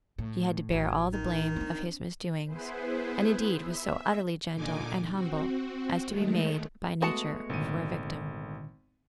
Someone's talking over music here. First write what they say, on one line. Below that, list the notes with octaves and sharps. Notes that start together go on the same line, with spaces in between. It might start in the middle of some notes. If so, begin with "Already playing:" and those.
She had to bear all the blame of his misdoings, and indeed was so utterly gentle and humble as to be made by nature for a victim.
A2
A1 F#3
D#3
C4 D4
B3 E4 G#4 B4 C5
E5
A#2 D3 D#4 G#5 D6
C4 F#4
D#2 D#3 G#3 A3
G#3 A3 B3 F#4 A5 D#6 C#7
G#1 A#2 D3 D#3 D#7